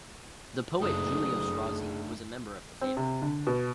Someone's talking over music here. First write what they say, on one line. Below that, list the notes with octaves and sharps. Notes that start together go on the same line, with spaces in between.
The poet Giulio Strozzi was a member of the family.
F#1 A3 D4 D#4 G#4 D#6
C4
C3
D3
B2